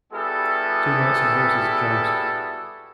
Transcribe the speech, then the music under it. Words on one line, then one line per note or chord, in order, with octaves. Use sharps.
Two knights on horses joust.
G3 B3 E4 F#4 G#4 A4